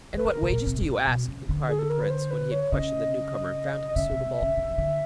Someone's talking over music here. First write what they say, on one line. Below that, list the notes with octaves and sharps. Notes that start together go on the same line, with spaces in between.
'And what wages do you ask?' inquired the prince, when he had questioned the new-comer and found him suitable.
D#3 B4
D3 A#4
A2
A#2
B2
C3
A2
A#2
B2
C#3
D3
G#4
A4
A#4
B4
C5
B4
C#5
C#3 D#5
D#5
C#3 E5
C3
C3
C#3
D3
D#3
D3